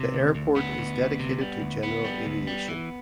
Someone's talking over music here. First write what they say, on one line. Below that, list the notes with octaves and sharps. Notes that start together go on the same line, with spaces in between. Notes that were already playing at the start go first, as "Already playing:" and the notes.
The airport is dedicated to general aviation.
Already playing: C3
D2
D2
D2 B3
D2
D2
C3
G3
D2
D2 B3
G3
D2
G3
E3